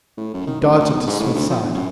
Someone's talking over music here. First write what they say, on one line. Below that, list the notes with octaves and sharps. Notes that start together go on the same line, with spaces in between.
He darted to Psmith's side.
A2
F#2
D#3
A1
D2
B1
G#2
A2
D2
F3
E2
F#2